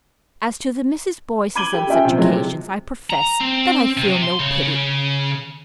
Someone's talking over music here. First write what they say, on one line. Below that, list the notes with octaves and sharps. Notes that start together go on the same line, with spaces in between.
As to the Mrs. Boyces on such occasions, I profess that I feel no pity.
B5 D6 G#6 D#7 F#7 G7
G4 A4
C#4 F4 E5 G5 G#5
C3 F3
F3 F#3 G#3 A3 C4 E4
C3
A#5
C4
C3
C6
C#3